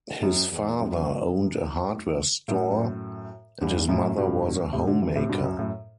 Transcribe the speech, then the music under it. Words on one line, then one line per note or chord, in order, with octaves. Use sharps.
His father owned a hardware store and his mother was a homemaker.
F#2
E2
F#2
F#2 A2
E2 G2
F#2 A2
G2 B2
A2 C3
B2 D3
C3 E3
A2 C3
G2 B2
F#2
F#2 A2